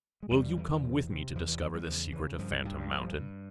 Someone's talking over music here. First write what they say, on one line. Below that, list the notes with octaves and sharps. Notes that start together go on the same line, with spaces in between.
Will you come with me to discover the secret of Phantom Mountain?
G#3
E2 G3
E2
C3
C3
E2 F3
E3
E2 F3
G3
C#3 F3
C#3 E3
G2 F3
G2
G3
G2 F3
G2